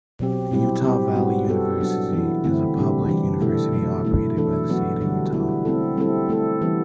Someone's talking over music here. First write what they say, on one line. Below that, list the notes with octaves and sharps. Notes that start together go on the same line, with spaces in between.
Utah Valley University is a public university operated by the state of Utah.
B2 F#3 C4 G4
B2 G3 C4 E4 G4
G3 C4 G4
G3 B3 F#4
G3 B3 F#4 A4
F#3 B3 D4
E3 B3 E4
D3 A3 C4 E4
C3 G3 D4 G4
E3 G3 D4 G4
B2 A3 E4 A4
B2 F#3 A3
B2 A3 E4
E3 A3 D4 A4
F#3 B3 F#4
D3 G3 D4
G3 B3 E4
A3 C4 E4 A4
G3 C4 E4 A4
A3 E4 A4
E3 G3 B3 E4 G4